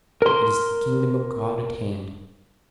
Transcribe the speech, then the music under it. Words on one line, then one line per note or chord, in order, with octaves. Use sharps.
It is the Kingdom of God at hand.
A#4 C6